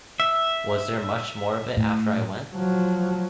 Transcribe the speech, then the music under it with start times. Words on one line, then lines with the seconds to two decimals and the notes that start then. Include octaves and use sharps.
Was there much more of it after I went?
0.20 E5
1.77 A2
2.55 F3 F#3